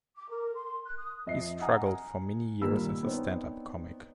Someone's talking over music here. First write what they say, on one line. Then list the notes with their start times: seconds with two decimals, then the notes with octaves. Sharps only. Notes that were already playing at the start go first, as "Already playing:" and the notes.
He struggled for many years as a stand-up comic.
0.16 D6
0.29 A#4
0.55 C6
0.85 F#6
0.98 D#6
1.27 F2 D#5 E5 C7
1.61 F#5 G#5 A#5 D#6 F6
2.62 G2 A#2 D#3 A#3 B5 E6
3.03 B3 C4 D4 D#4 C5 C#5